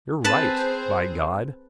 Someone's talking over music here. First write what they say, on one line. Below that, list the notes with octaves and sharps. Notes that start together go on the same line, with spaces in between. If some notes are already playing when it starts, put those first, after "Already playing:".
You're right, by God.
C4 G#4 B4 C5 A5